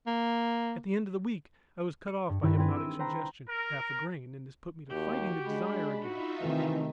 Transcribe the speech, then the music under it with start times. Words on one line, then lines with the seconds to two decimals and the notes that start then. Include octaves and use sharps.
At the end of the week I was cut off by hypnotic suggestion half a grain and this put me to fighting the desire again.
0.07 A#3
2.07 C#7
2.29 G2
2.42 G2 D#3 E4 G4 B4
2.57 C4 E4 G4 G#4 B4
2.76 E6 D7 D#7
2.99 B4 C5 G5 A#5 B5
3.49 A#4
4.90 D#2 F#4 G4
5.47 G#3 D4 B5
6.02 D#4 F4 F#4 E5
6.41 C3 D#3 E3 A3